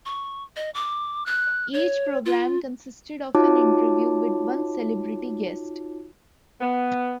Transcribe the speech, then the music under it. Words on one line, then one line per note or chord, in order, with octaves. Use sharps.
Each programme consisted of an interview with one celebrity guest.
C#6
D#5
D6
F#6
C#5
F4
D#4 F4 F#4 C#5 A5 D6
B3